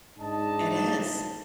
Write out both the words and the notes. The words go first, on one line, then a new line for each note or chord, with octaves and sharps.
It is.
G#2 D4 D#4 D#5 A5